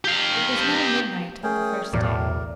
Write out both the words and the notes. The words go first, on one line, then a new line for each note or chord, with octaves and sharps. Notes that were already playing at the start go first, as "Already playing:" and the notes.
It was now midnight of the first day.
G4 F5
A3 C#4 G#4 A#4 G5
B1 E2 A2 A#4 D5